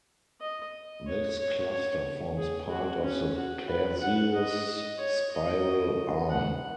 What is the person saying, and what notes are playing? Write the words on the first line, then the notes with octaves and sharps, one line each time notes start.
This cluster forms part of the Perseus Spiral Arm.
D#5
C#5
C#5
C#5
G#4
F#4
C#4
F#4
B4
F#5
D#5
C#5
D#5
F#5